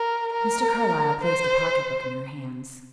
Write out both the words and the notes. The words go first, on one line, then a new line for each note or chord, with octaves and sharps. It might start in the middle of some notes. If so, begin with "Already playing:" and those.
Mr. Carlyle placed a pocket-book in her hands.
Already playing: A#4
A#4
C5